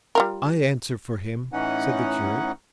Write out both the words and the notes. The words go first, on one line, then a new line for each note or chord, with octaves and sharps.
"I answer for him," said the curate.
G3 F4 A#4
A2 E3 C#4 D#4 F#5